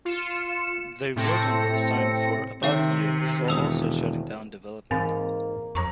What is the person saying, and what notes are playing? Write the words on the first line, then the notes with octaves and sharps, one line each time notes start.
They worked on the design for about a year before also shutting down development.
F4 C#7 E7
A2 C3 C4 A4 A#6 C#7
C3 D#3 C4 C#5 E5 G5
E1 D#6 E6 F7
G#2 E3 A#3 C4
F2 F3 A#5 C#6